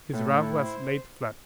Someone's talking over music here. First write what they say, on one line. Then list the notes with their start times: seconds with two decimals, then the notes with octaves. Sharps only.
His ruff was laid flat.
0.13 A2 A4
0.38 E4
0.63 C5